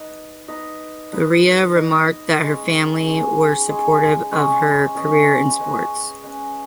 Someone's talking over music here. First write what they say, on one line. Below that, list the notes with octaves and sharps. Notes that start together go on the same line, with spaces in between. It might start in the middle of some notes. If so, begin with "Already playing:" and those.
Barea remarked that her family were supportive of her career in sports.
Already playing: D#4 B4 D#5
D#4 B4 D#5
D#4 B4 D#5
D#4 B4 D#5
G#3 C#4 G#4
G#3 C#4 G#4
G#3 C#4 G#4
G#3 C#4 G#4
C#4 B4 D#5
C#4 B4 D#5
C#4 B4 D#5